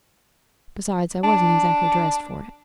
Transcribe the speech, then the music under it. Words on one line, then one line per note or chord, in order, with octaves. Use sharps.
Besides, I wasn't exactly dressed for it.'
D4